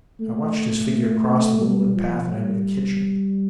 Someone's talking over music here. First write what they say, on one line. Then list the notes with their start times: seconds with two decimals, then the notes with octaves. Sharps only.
I watched his figure cross the moonlit path and enter the kitchen.
0.21 A3
1.61 G3
1.96 F3
2.31 G3